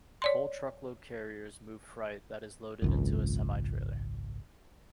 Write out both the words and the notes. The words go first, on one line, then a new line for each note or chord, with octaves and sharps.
Full truckload carriers move freight that is loaded into a semi-trailer.
C#5 D5 C6
G#1 C#2 F#2